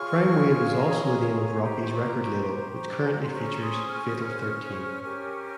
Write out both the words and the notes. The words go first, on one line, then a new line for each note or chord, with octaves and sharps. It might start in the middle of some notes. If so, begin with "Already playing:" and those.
CrimeWave is also the name of Rocky's record label, which currently features Fatal Thirteen.
Already playing: F4 G#4 C#5 C#6 F6
A#5 C#6
G4 C5
G#5
A#5
C6
C#4 G#4 C5 A#5 C#6
C6 D#6
C#6 F6
C#6 F6
C#4 G4 A#4